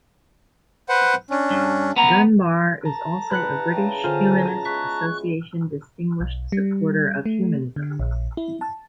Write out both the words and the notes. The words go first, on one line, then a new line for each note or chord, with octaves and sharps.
Dunbar is also a British Humanist Association Distinguished Supporter of Humanism.
B4 C5 F#5
C#4 D4
G2
B3 A#5
A5 A#5
D4 E4 B4 G5 F#6 C#7
C#3 G3 G4
D3 F4 G4 C5 E5 F#5 G#5
G#3 B3 G#5 C#6 F#6 B6
B1
G3
A3
D3
A#1
E4
A5